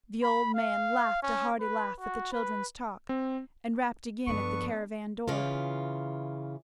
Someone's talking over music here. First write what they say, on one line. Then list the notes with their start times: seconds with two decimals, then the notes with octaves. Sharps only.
The old man laughed a hearty laugh at the children's talk, and rapped again at the caravan door.
0.23 B5
0.55 F5
1.23 C#4
1.60 B4
2.00 F#4
2.32 B4
3.09 C4
4.27 G2 F3 B3 D4 A4 B4 C#6
5.28 C#3 E3 F4